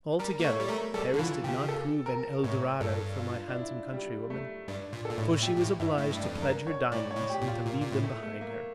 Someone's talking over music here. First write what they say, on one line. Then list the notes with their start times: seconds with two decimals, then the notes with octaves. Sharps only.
Altogether, Paris did not prove an 'el dorado' for my handsome countrywoman, for she was obliged to pledge her diamonds, and to leave them behind her.
0.19 G3 A#4
0.40 A#3
0.44 A3 C#5
0.60 G3
0.69 A3 A#4
0.94 G3 A4
1.14 D3
1.19 E3 F4
1.44 C#3 G4
1.68 A4
2.06 A#4
2.43 A2 C#5
2.81 G2 A4
3.18 F4
3.48 D4
3.56 E4
3.93 G3
4.30 A3
4.68 G2 D4
4.93 A#2
5.05 A#2 A4
5.18 A2
5.32 A2
5.43 A#2 G4
5.57 A#2
5.61 A2
5.80 G2 E4
5.98 A2
6.11 G2
6.17 D4
6.23 F2
6.35 G2
6.42 A#4
6.67 C#5
6.92 A2 D5
7.11 C#5
7.17 A2
7.30 G4
7.42 A#2
7.48 F4
7.66 A#2 A#3
7.81 A#2
7.92 A2
8.04 A3
8.23 A3
8.41 A#3